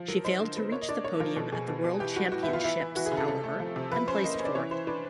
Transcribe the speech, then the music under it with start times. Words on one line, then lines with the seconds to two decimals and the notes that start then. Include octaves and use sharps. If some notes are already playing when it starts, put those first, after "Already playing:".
She failed to reach the podium at the world championships however, and placed fourth.
Already playing: F3
0.08 F#3 A#4
0.24 D#4 C5
0.41 D3
0.56 B3
0.72 A#3 C#5
0.82 D#5
0.89 D4 D5
1.04 A#3 C#5
1.20 F3 A#4
1.36 B2 A4
1.52 B2 G#4
1.68 B2
1.84 B2
2.00 E3 G4
2.16 G3 F#4
2.32 A2 F#4
2.43 E4
2.48 B3
2.53 F4
2.64 E3 E4
2.80 E3
2.96 E3 F#4
3.06 G#4
3.12 C#3
3.17 A4
3.28 C3 A4
3.44 A3
3.60 F3
3.76 C3
3.92 F3 B4
4.08 C#4 C5
4.24 A#3 D#5
4.34 D#5
4.40 C#4
4.45 D5
4.55 E3 C#5
4.71 E3 C5
4.87 D4 B4